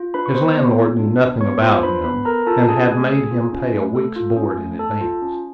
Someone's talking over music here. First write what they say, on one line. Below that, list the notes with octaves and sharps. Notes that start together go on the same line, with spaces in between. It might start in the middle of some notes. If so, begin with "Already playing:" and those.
His landlord knew nothing about him, and had made him pay a week's board in advance.
Already playing: F4
D4 B4 B5
C#6
B3 C5 C6
B3
F4
D4
B3
B3 C#5 C#6
F4 C5 C6
D4 B4 B5
B3 B4 B5
A4 A#4 A#5
F4 A4 A5
C#4 G#4 G#5
A3 G#4 G#5
A4
F4
C#4
A3
A4
F4
C#4
A3
A4 A5
F4
C#4